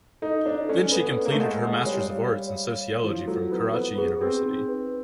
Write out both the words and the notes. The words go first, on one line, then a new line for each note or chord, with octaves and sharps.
Then she completed her Masters of Arts in Sociology from Karachi University.
D#4 A4
D4 C#5
C#4 A4
B3 A4
C#5
A#3
A3
G#3 F#5
G#3 F#5
G3 C#5
F5
C#5
F5
C#5
F3 E4
F#3 A4
B3 E4
B3 C5
B3 G#4
C4 G#4
D#4
B4